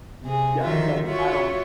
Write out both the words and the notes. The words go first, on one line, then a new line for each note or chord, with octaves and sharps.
yeah, like, I don't
C3 G#4
D3 D#3 F3 F#3 F4 E5
F4 F#4 C#5 E5